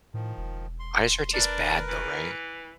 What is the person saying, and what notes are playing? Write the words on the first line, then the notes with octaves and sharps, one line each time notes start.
I sure it tastes bad, though, right?
A2 D#3 F3
E1
C6
D4 A#4 B4
E3